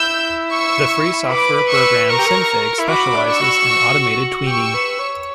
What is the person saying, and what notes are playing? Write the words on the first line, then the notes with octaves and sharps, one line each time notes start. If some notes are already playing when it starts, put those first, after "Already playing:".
The free software program Synfig specializes in automated tweening.
Already playing: E4 E6 G6
C#6 E6
B4 B5 D6
C#6 E6
A#4 A#5 C#6
G4
A#4
E4
F#4 B5 D6
D4
C#6 E6
F#4
F#4
G4 C#6 E6
B4
C#5